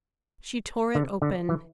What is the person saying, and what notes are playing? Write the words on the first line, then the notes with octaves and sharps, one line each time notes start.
She tore it open.
D3
D3
E3